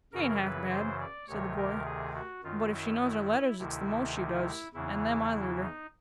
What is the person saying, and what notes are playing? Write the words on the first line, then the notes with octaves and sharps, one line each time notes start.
'She ain't half bad,' said the boy; 'but if she knows her letters it's the most she does--and them I learned her.'
F#2 C#3 E3 A#4
B4
C5
D5
D2 C3 D#3 C#5
A#4
G#4
F#4
F#2 D#3 F4
E4
E4
E4
D2 C3 D#3 E4
E4
E2 C#3 E3 E4
E4
D#4